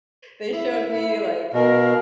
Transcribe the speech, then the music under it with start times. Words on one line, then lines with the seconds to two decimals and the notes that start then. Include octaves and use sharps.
they showed me, like,
0.52 E4 E5
1.54 B2 A#4 F5